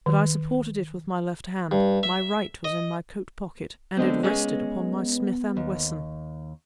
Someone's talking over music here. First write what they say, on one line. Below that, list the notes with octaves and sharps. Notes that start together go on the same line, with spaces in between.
But I supported it with my left hand; my right was in my coat pocket--and it rested upon my Smith and Wesson!
D#3
G2
E5
D#5
D3 G#3 B3 C4
G#3 C#4 G#4
D#2